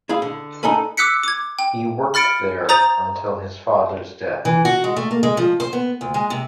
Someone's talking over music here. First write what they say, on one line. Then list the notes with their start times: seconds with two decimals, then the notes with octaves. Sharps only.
He worked there until his father's death.
0.09 E4 G#4 F5
0.22 D3
0.63 D4 D#4 A4 D5 G#5 B5
0.97 D6 E6 F#6 B6 C#7
1.24 D6 G#6
1.59 G5
2.14 B5 F6 A6 C#7 D7
2.69 C5 A#5 D#6 G6 A6 F7
4.45 E3
4.65 F#4
4.84 G#3
4.96 A3
5.11 A#3
5.23 G#3
5.37 F3
5.60 C5
5.73 B3
6.01 D2
6.14 G#3
6.30 C3